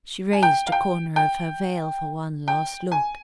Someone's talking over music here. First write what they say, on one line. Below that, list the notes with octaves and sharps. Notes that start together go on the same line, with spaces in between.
She raised a corner of her veil for one last look.
G#5
G5
F5
G5
G5
G5
G#5